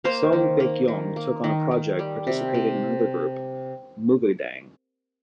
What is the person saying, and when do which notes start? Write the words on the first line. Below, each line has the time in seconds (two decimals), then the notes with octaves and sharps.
Song Baekkyoung took on a project participating in another group, MoogaDang.
0.04 A#3 C5 F5
0.33 D#3
0.60 A#3
0.88 D#3
1.16 A#3
1.44 D#3
1.71 D#3
1.99 G3
2.27 C3
2.54 C3